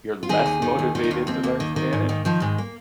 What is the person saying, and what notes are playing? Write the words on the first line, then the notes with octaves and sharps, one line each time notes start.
you're less motivated to learn Spanish?
F4
D#3 G#4
D#2
D#3
D#2
D#3 F4
D#4
D#2 F4
D#2 C4
D#2 A#3
D#3
D#3
G#2
D#3
D#3 F3
G#2 G#3
A#3